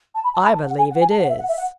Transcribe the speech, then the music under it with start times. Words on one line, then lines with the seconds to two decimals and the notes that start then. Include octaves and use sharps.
"I believe it is."
0.15 A5
0.24 B5
0.34 A5
0.44 B5
0.53 A5
0.66 F#5
0.78 G#5
0.91 F#5
1.01 G#5
1.10 A5
1.20 F#5
1.29 E5
1.39 F#5
1.48 E5
1.58 F#5